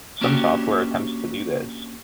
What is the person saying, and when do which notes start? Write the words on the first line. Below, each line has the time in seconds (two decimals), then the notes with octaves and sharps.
Some software attempts to do this.
0.21 A#3 C#4 D4 F#4 G4